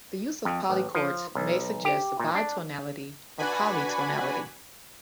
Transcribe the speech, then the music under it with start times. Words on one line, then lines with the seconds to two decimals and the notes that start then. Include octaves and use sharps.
The use of polychords may suggest bitonality or polytonality.
0.45 F2
0.70 A1
0.95 F3
1.35 B1
1.85 G4
2.19 A#2
2.35 D4
3.39 D4 F#4 B4 F#5 G#5 B5